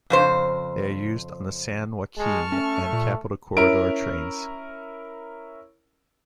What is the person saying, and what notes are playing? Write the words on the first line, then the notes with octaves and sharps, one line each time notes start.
They are used on the "San Joaquin" and "Capital Corridor" trains.
F2 C#3 C5
G#3 A5 C#6 F6
A3 C#4
A#2
C#4 E4 A#4 D7